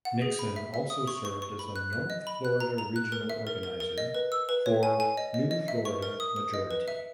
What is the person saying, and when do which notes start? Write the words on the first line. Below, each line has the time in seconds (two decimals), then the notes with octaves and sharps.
Nixon also served as the North Florida regional organizer for New Florida Majority.
0.05 F#5
0.22 G#4
0.39 B5
0.56 E5
0.74 E5
0.90 D#6
1.07 C#6
1.25 C#6
1.42 C#6
1.59 B5
1.76 F#6
1.93 F#6
2.10 D#5
2.27 B5
2.45 F#6
2.60 A#5
2.78 A#5
2.96 F#6
3.12 A#4
3.30 E5
3.47 A#4
3.63 A#4
3.80 A#4
3.98 D#5
4.15 B4
4.32 E6
4.49 B4
4.66 C#5
4.83 G#5
5.00 G#5
5.17 D#5
5.34 D#5
5.51 D#5
5.68 E5
5.85 C#6
6.02 A#4
6.20 D#6
6.36 D#6
6.54 D#5
6.71 B4
6.88 E5